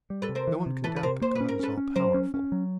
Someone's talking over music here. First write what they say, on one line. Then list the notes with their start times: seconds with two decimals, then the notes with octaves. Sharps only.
'No one can doubt that God is all-powerful.'
0.10 G3
0.22 A4 B4
0.29 C3
0.35 A#4 C5
0.47 E3
0.66 C3
0.84 E3 A4 B4
0.96 B4
1.03 C3 A#4 C5
1.21 A#3 C5
1.35 B4
1.40 C#4
1.48 A#4
1.59 C#4 A4 B4
1.77 C#4
1.96 F#3 A#4 C5
2.14 C#4
2.34 C#4
2.52 F#3